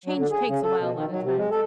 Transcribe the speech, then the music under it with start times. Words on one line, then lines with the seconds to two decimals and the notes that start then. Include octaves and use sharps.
change takes a while, a lot of times.
0.06 F#3
0.17 D3
0.31 G#4
0.47 C#3
0.63 A4
0.78 B2
0.94 D#3
1.10 F#3
1.23 C3
1.37 G#3
1.51 A4